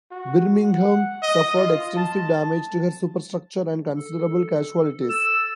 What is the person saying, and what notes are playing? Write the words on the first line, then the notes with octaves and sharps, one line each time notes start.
"Birmingham" suffered extensive damage to her superstructure and considerable casualties.
F#4
F#5
D#5
F4
A5
A4
E6 A6